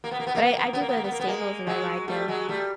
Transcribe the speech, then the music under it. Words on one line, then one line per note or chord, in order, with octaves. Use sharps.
But I I do go to the stables and I ride them
A#3
B3
A#3
B3
A#3
B3
A#3
B3
A#3
B3
A#3
B3
A#3
B3
A#3
B3
G#3 A#3
F#3 G#3
G3 A3
F#3 G#3
G3 A3